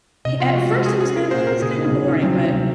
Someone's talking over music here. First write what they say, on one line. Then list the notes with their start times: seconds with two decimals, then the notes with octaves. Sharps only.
He at first, he was kinda, "Well, he's kinda boring," but,
0.25 C3 D#5
0.40 F3 F4
0.55 G#3 F#4
0.70 G#3 F#4
0.86 F#4 G#4
1.01 C#4 G#4
1.16 F#4 A#4
1.31 A#2 C5
1.47 C4 A#4
1.62 C#3 G#4
1.78 D#4
1.92 C#3
2.08 D#3 C#4
2.22 F#3 C4
2.37 C3
2.53 F#3